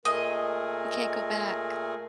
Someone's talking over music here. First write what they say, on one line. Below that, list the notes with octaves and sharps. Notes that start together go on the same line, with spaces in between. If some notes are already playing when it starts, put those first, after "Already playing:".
You can't go back.
A#2 A3 G#4 A#4 D#5